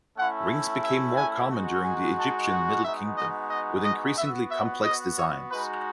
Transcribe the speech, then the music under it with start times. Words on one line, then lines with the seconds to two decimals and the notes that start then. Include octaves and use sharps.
Rings became more common during the Egyptian middle kingdom, with increasingly complex designs.
0.17 A3 C#4 E4 F#5
0.85 E5
1.17 G#5
1.51 G#3 D#4 F#4
1.84 G#5
2.18 A5
2.51 F#5
2.85 G#3 B3 D#4 F#4 E5
3.18 D#5
3.51 D#5
3.84 D#5
4.18 B3 F#4 E5
4.51 E5
4.84 D#5
5.18 C#5
5.51 G#3 D#4 F#4 B4